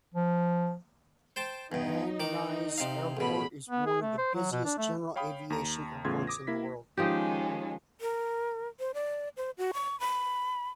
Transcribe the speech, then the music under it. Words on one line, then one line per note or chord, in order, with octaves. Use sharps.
Van Nuys Airport is one of the busiest general aviation airports in the world.
F3
C5 G5 A5
E2 G2 D#4
D#3 D6
C3 F5
A1 B2 G#4 B5
B3
G#4
A3
C5
F#3
B2
D4
A3
C#5 F5 G5 B5 D#6
D#2 A#5
E2 A2 C#3 F4 C6 G#6
D6 D#6 A#6
A#3 E4 B6
D#3 F3 G#3 C#4 D#4 G4
A#4
C5
D5
C5
F#4
C#6
B5